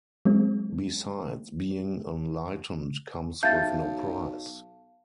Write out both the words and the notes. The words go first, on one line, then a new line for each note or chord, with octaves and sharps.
Besides, being enlightened comes with no price.
F#3 G#3 C4
B1 E5 F5 A5 G6 A6